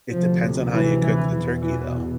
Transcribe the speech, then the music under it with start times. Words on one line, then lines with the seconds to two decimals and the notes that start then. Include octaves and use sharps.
It depends on how you cook the turkey, though.
0.11 D2 C3 F3
0.41 F3
0.71 E3
1.01 E3
1.31 E2 B2 E3
1.61 E3